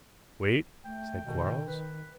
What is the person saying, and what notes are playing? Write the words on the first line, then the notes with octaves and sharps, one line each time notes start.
"Wait," said Quarles.
A3 G5
B2 D#3
B4